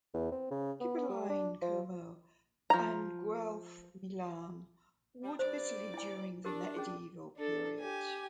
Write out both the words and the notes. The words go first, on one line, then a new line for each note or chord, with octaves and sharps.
Ghibelline Como and Guelph Milan warred bitterly during the medieval period.
E2
C4
C#3
B3
B3
G3
D4
F3
F3 A#5
G3
G2 C5 D5
E4 G#5
D4 G4 A#4
C#4 G#4
D4 A4
G4 G#5